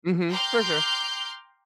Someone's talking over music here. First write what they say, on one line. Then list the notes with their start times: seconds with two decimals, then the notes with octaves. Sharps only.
Mhm. For sure.
0.30 G5 A#5 C6 D6 F6 G6